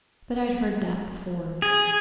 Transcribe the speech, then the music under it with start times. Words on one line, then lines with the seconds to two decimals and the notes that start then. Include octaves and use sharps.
But I'd heard that before.
1.62 G#4